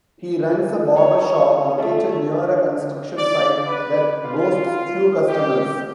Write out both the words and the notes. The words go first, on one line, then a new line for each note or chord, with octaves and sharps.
He runs a Barber Shop located near a construction site that boasts few customers.
C#5
A3
D5
B4
F4
G4